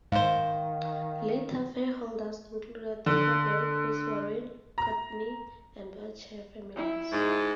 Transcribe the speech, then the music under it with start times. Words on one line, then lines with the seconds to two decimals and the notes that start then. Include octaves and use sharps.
Later fairholders included the Coggan, Fitz Warine, Courtney and Bourchier families.
0.12 G#2 D#3 C5 F5
3.06 D3
4.78 A#5
6.75 E4
7.13 G#2